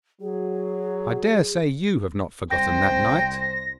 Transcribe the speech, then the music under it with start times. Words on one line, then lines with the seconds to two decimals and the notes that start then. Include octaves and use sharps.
I dare say you have not forgotten that night!
0.21 F#3 G#4
2.51 C2 C5 G5 A#6